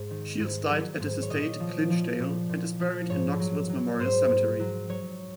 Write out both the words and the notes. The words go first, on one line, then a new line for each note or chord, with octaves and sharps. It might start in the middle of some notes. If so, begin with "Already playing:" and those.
Shields died at his estate "Clinchdale" and is buried in Knoxville's Memorial Cemetery.
Already playing: G#2
D#3
G#2
F#3
G#2
C#5
A#2 D#5
F3
F3
A#2
A#2
F3
G#2 C#5
F#3
F#3
G#2 C5
G#2
F#3
F#3 C#5